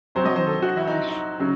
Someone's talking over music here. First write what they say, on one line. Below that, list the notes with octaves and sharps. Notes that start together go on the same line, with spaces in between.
Oh my gosh.
C3 F#3 C5
D#5
C5
A4
F#4
E4
D#4
D#4
C#3 F#3